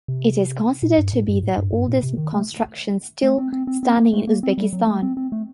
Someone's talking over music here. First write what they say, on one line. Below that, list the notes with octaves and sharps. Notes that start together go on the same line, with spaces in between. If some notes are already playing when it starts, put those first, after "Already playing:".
It is considered to be the oldest construction still standing in Uzbekistan.
C3
A#2
G2
A2
G2
A2
G2
G2
A#2
C3
D#3
A3
A3
C4
C4
C4
C4
A#3
A3
A#3
C4
G3
F#3
A3
C4
C4
A3